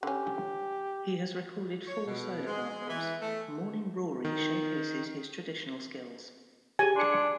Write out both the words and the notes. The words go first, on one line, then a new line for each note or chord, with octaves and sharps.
He has recorded four solo albums: "Morning Rory" showcases his traditional skills.
D3 C#4 G4
C#5
B2
G#3
E3
A3
D#3
G4 G#4 G#5
D4 C6 C#7